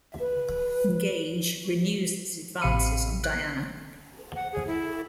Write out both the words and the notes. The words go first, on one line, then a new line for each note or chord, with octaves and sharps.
Gage renews his advances on Diana.
B4
A1 C3 F5 B5 C#7 D#7
F#6
F#5
G#4
E4